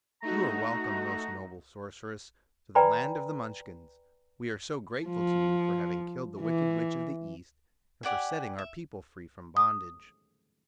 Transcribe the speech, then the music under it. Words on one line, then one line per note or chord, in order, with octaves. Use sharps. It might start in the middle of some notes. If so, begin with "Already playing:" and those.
"You are welcome, most noble Sorceress, to the land of the Munchkins. We are so grateful to you for having killed the Wicked Witch of the East, and for setting our people free from bondage."
A3 D#4 F#4 A#5
B4 D5 G5 G#5 A#5 B5
F3
E3
G4 D5 F#5 G#5
E5
D#6